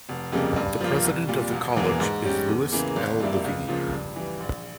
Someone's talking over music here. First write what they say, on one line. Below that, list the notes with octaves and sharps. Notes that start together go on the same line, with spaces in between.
The President of the College is Louis L. Levine.
F1
F2 C#3 G3 A#3
G2
F3 A#3 F4
C2
A#2 G3
E1
E2 E3 A#3
G#2
G3 C#4 G4
E2
C#3 E3 A#3
G#1
G2 G3 A#3 E4
C#2
C#3 F3 A#3 F4
G2
E3 G3
A#1